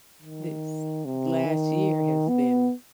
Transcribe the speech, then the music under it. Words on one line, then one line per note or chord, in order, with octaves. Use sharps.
this last year has been
D#3
C3
D#3
B3